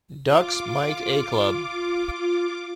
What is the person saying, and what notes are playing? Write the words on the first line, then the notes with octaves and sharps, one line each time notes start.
Ducks Mite A club.
F4 D6